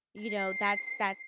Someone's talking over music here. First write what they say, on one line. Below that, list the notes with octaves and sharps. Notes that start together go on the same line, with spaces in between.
you know, that's that's
C7